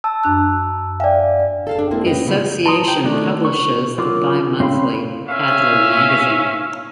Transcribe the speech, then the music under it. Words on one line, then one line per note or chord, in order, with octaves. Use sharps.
The Association publishes the bi-monthly "Paddler Magazine".
A5 E6
F#2 D4 F#6
D5 E5 F5 G5 G#5
A4 F5 A5
D4
G#3 A#3 C4 E4
F#2 C#4 B4 D#5 G5
C#3 F#3 B3 C4
A5 A#5 C6 D#6
G5
D#3 A3 D4
C#6
F#3 F4 A#4 D6
C4 C#4 F5 B5 C6
C#4 E5 F5